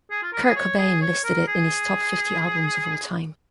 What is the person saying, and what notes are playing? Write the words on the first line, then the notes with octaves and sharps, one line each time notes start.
Kurt Cobain listed it in his top fifty albums of all time.
G#4
F4
A#4
G#4
C#5
G#4
C#5
A#4
G#4